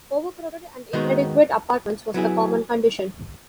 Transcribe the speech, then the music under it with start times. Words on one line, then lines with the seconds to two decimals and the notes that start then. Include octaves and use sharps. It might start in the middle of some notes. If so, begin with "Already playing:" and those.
Overcrowded and inadequate apartments was the common condition.
0.93 D#3 G#3 B3 D#4 F#4
2.14 F#3 B3 E4 G#4